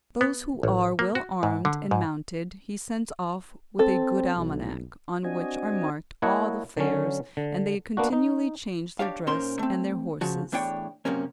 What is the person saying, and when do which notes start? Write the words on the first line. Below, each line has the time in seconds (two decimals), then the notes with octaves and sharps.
Those who are well armed and mounted he sends off with a good almanac, on which are marked all the fairs, and they continually change their dress and their horses.
0.21 B3
0.63 A1
0.99 A#3
1.15 F#4
1.43 G#2
1.65 D3
1.91 G#2
3.79 C4 A4
4.36 B1
5.24 C4 D4 F#4 D#5 G#5
6.22 A#3 E4 C#5 D#5 F#5 A5
6.77 D3 F#3 C#4
7.37 D3
7.97 A#3 B3 D4 F#4
8.13 D#4
8.99 D4 G4 C#5 F5
9.27 A#2 C#4 D#4 A#4 C5 C6
9.59 A3 C4
10.21 C#3 F3 F#4
10.52 E2 A2 D4 C#5 G5
11.05 F#2 C3 A#3 C#4